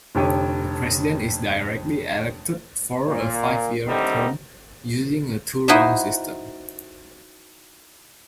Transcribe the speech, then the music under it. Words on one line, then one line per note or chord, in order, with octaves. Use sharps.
The President is directly elected for a five-year term using a two-round system.
F1 F2 D3 G4 C#5 D#7
A#2
A2 D3 D#3 G3 C4 D#4
D#4 E4 F#4 C5 D#5 E5